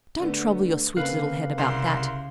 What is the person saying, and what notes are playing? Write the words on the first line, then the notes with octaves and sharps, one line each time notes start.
'Don't trouble your sweet little head about that.
D3 A3 B3
C#3 A#3 C4 B4 F5 F#6
C2 A#4 C6